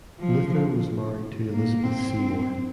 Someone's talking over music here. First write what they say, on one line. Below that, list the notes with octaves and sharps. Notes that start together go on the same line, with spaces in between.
Luther was married to Elizabeth Seymore.
F3
A#3
C4